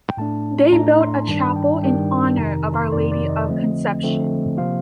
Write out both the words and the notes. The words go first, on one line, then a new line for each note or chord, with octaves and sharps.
They built a chapel in honor of Our Lady of Conception.
G5
A2 A3 D4 A5
A2 A3 D4 A#5
C6
G2 D#3 G3 D4 A5
G5
G2 D#3 G3 D4 G5
F2 C3 D#3 A#5
C6
F2 C3 D#3 D5
D5
D#5
D3 F3 A3 C4
D3 F3 A3 C4
C3 F3 A#3 F4 F5